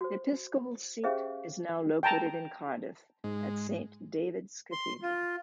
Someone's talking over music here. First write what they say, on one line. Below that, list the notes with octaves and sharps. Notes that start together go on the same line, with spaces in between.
The Episcopal Seat is now located in Cardiff, at Saint David's Cathedral.
F#4 C5
C#4 G4 G#4 C5 E5 F5
G5 A5 A#5
G#2 G#3
C6
F4